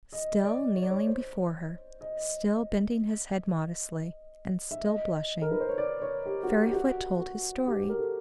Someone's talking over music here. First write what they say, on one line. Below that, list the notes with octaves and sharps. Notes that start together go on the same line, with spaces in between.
Still kneeling before her, still bending his head modestly, and still blushing, Fairyfoot told his story.
D#5
D5
C#5
D5
C#5
C5
D#5
E5
D#5
A#4
B4
C5
C#5
D5
C#5
G4
F#4
G4
G4
F#4
F#4
G4
A#4
A4